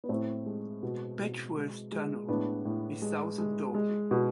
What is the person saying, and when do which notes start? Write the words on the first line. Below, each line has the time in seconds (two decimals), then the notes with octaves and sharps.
Betchworth Tunnel is south of Dorking.
0.04 B3
0.09 A2 A3 C4
0.46 G#3
0.83 B2
1.19 B2
1.56 G#3
1.92 G#3
2.28 A2 B3 D4
2.65 A2
3.02 G#3
3.38 G#3
3.74 G#3
4.11 B2